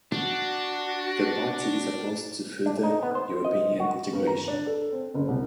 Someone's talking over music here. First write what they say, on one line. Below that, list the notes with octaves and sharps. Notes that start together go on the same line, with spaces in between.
The party is opposed to further European integration.
D4 F#4
D4
D#4
B3
C5
D#5
F#4
G2
A#5
D4
A4
C4
F#1
C2